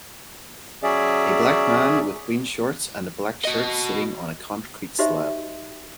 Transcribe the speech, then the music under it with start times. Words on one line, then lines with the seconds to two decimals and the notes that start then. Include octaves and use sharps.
A black man with green shorts and a black shirt sitting on a concrete slab.
0.83 F#3 C#4 G#4 D5 E5
3.45 F#4 D#5
4.99 D#4 F#4 G4 C5 D#5 E5